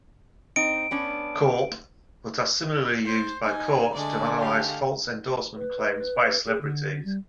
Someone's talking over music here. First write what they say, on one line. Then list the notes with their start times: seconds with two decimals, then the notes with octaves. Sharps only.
Corp., but are similarly used by courts to analyze false endorsement claims by celebrities.
0.56 C4 D#4 D7
0.91 B3 C#4 D4
3.04 C5
3.44 D#4 G#5
3.94 D3 G#3 A3 D5
4.39 G4 F5
5.56 B4
6.48 G#4
6.61 D3
7.05 G3